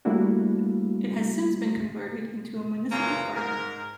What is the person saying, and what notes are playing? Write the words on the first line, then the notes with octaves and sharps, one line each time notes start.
It has since been converted into a municipal garden.
G3 A3 A#3 D4 E4 F#4
F#2 C#3 E3 A#3 F4 A#5
G#2 A#4